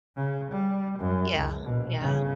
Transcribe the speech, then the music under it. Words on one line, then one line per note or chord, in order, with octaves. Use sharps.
Yeah, yeah.
C#3
G3
F#2
C#2
A#1 B2
G1 C#3